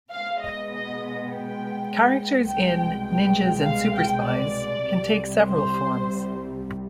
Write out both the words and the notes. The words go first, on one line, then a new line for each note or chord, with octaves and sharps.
Characters in "Ninjas and Superspies" can take several forms.
B2 G#3 B3 F5
D#5
D#5
G5
C2 B2 G#3 G5
G5
F5
G5
D5
C2 C3 G3
C5